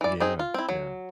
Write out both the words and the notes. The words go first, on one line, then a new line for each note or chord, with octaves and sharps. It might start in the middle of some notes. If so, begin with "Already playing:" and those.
Yeah. Yeah.
E3 D5
C4 D#4 G#4
F4
C4 E4
F#3